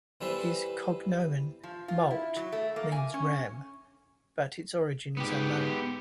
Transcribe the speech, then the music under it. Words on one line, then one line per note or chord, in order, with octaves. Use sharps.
His cognomen, "molt", means "ram" but its origin is unknown.
E3 G3 A4 B4 C5 E5
F3
F4
E4
F#3
A3
A#3
G#5
C#4
G#2 B3 G4